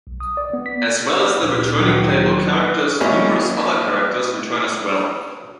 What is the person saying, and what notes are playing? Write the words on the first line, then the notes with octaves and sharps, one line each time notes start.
As well as the returning playable characters, numerous other characters return as well.
B1
D#6
D5
B3
B6
D2 A#2 F3
D#3 F#3
G#1 A#3 C#4 E4